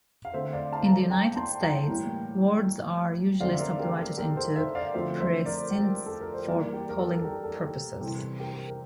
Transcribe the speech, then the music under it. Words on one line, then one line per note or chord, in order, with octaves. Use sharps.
In the United States, wards are usually subdivided into precincts for polling purposes.
F5
D3 A3 C4 C5 E5
D5 F5
F5 A5
A#5
F5 A5
G5 A#5
A5 C6
G5 A#5
A2 E3 G3 A#3
D3 A3 C4 D5 F5
E5
A#4 D5
G4 A#4
A4
G4 A#4
A4 C5
C5 E5
D5 F5
D3 F3 A3 C4 C5 E5
C5 E5
A#4 D5
G4 A#4
A4
A#4
C5
E3 G3 A#3 A#4 D5
G4
A#4
A4
A4
G4 A#4
A4
G4
C3 E3 G3 C4 A4
G4 A#4
A#4